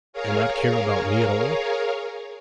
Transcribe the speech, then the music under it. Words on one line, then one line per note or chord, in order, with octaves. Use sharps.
'And not care about me at all?'
G#4 A#4 C#5 F5